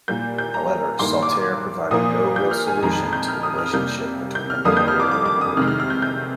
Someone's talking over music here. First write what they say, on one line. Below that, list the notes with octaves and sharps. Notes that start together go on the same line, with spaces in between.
However, Saltaire provided no real solution to the relationship between employer and worker.
A#2 G3 A#3 G6
G6
A#5
G2 D#3 A#3 C6
D6
A#2 F3 A#3 D#6
G6
F6
G#5
F2 D#3 G#3 A#5
G6
F6
D#6
F6
C3 G3 A#3 G6
G6
F6
F2 D3 G3 A#3 D#6
G6
F6
D6
D6
D6
D#6
C3 D#3 G#3 F6
F6
F6
G6
G6